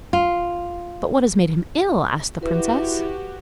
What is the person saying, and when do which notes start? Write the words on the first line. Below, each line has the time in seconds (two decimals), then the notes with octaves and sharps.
'But what has made him ill?' asked the princess.
0.13 F4
2.43 E4 F#4 G4 B4